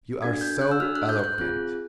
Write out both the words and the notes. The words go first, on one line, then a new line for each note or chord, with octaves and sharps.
You are so eloquent.
D4 F#4 A4 G#6
G6
F#6
E6
D4 F#4 A4 F6
F#6
G6
G6
F#6
C4 F4 G#4 F#6